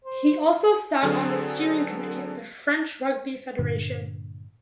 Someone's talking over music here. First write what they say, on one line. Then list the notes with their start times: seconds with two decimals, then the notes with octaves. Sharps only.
He also sat on the steering committee of the French Rugby Federation.
0.05 C5
1.03 D3 F#3 C4 G#4 A4
3.59 G2 A#2 D3